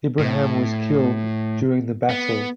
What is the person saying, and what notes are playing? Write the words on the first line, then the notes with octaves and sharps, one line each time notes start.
Ibrahim was killed during the battle.
A2
B3